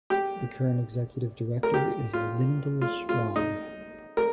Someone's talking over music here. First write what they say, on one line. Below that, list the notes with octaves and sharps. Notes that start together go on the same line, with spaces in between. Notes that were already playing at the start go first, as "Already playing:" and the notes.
The current Executive Director is Lyndel Strong.
G4
A#4
G4
F4
F4
F4
D#4
A#4